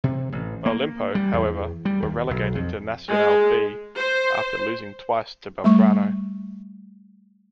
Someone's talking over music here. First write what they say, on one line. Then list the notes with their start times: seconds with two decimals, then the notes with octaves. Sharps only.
Olimpo, however, were relegated to Nacional B after losing twice to Belgrano.
0.04 C3
0.32 A1
0.66 A#3
1.15 G3
1.33 E2
1.85 G3
2.02 D#2
2.31 B1
2.55 F2
3.08 G#3
3.98 C5
5.64 G3 A3 C#6